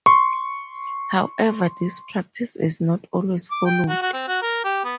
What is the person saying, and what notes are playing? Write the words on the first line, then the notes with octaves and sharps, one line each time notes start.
However, this practice is not always followed.
C6 C#6
D6
G5
F#4
F#4
C4
F#4
A#4
G4
B3